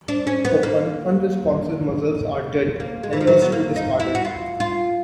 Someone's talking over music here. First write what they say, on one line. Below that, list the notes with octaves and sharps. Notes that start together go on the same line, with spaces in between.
Open, unresponsive mussels are dead, and must be discarded.
D4
C#4
B3
A#3
A#3
G#3
E3
F3
F#3
B3
A#3
D#4
E4
F#4
F4
F4